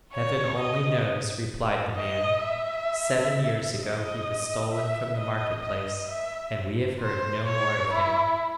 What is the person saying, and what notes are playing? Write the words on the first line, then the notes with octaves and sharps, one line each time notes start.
'Heaven only knows!' replied the man; 'seven years ago he was stolen from the market-place, and we have heard no more of him.'
C#5
D#5
D#5
E5
D#5
E5
D#5
D#5
E5
C5
C#5
E4